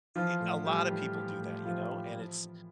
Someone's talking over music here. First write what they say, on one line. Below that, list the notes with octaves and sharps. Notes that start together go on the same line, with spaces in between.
e a lot of people do that, you know? And it's
E3 F3 F4
A2
A2 G3 G4
E3
E3
A2
A2 F3 F4
E3
F3